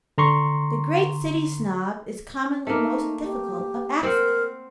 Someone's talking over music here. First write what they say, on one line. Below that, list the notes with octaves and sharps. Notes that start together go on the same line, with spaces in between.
The great City Snob is commonly most difficult of access.
D3 A#5 C6 C#6
A3 A#3 D#4
G4
C4 A#4 C5 F#5